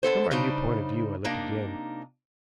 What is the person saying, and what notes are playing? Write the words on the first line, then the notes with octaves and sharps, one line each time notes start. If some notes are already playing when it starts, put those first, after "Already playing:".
From our new point of view I looked again.
D3 B3 A4 C5
C#3 G3 D4 D#4 C5
C3 A#3 D4 D#4 A#4